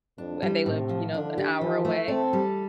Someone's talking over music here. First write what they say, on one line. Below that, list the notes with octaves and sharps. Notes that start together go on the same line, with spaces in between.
and they lived, you know, an hour away,
F2 D4
G3
A2 C3
F3
D3 D4
G4
E3 F3
A3
C4 A4
G3